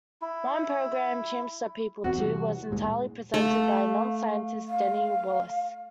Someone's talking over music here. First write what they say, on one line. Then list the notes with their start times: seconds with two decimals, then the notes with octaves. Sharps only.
One programme "Chimps are people too" was entirely presented by a non-scientist, Danny Wallace.
0.22 E4
2.04 D1 E2 C4 F#4
2.18 C3 E3 G3
2.71 D2 A#2 G#3
3.34 A3 F5
4.67 F5